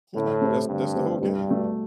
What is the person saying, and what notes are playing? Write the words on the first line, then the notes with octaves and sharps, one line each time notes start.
Yeah, that's that's the whole game.
A2 D3
A3 C4 G4 C5
G2 D3
A3 C4 G4 C5
C2 G2
B2 A3